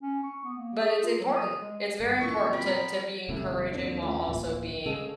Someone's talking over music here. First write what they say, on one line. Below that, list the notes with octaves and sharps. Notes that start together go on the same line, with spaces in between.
But it's important, it's very important to to be encouraging while also being,
C#4
C#6
B3
A#3
G#4
F4
F#3
D#6
G#3
G1
F2 A#2 E3 C#4 C#6
G3 C4 B5
B3 C4 A#4
D#1 C3 A3 C#4 E4
D#2 D3 D#3 C4 D4
A3 C#4 F4
D1 A#1 F4
C#3 G#3 A4